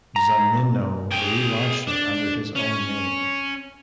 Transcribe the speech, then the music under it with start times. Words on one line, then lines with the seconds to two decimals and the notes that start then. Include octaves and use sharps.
Zunino relaunched it under his own name.
0.16 A#5
1.11 G#4 G5
1.88 D4
2.56 C#4